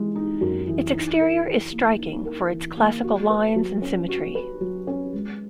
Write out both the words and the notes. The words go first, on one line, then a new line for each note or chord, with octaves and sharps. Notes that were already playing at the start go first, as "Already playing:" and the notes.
Its exterior is striking for its classical lines and symmetry.
Already playing: E3 G#3
D#4
F#2
E3
D#4
A#4
E3
A#3
D#4
A#4
E3
A#3
F#4
B4
F#3
C#4
F#4
B4
F#3
C#4
G#3